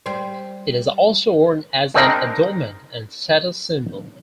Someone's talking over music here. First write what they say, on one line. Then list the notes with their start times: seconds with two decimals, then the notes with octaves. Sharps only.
It is also worn as an adornment and status symbol.
0.06 G3 C5
1.94 G#3 C4 D4 D#4 A#4